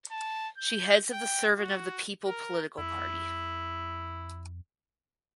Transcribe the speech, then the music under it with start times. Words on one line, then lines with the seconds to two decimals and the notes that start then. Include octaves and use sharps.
She heads of the Servant of the People political party.
0.11 A5
0.58 G6
1.13 G5
1.58 F#4
2.27 A#4
2.78 F2 E4